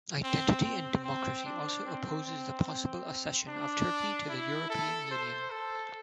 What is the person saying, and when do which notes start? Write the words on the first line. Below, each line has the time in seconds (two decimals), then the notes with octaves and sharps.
Identity and Democracy also opposes the possible accession of Turkey to the European Union.
0.24 C4
0.64 C4
1.04 C4
1.45 D4
1.86 C4
2.27 C4
2.67 C4
3.48 D4
4.29 E4
4.70 A4
5.11 C5
5.51 A4